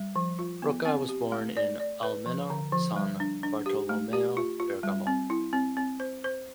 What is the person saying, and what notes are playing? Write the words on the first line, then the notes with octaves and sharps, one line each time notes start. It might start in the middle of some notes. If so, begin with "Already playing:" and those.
Rocca was born in Almenno San Bartolomeo, Bergamo.
Already playing: G3
F3
F4
B3
C4
G4
A3
D5
D5
B4
F3
D3
F3
G3
D4
D4
G4
A3
G4
F4
F4
G3
C4
E4
C4
C4
C5
C5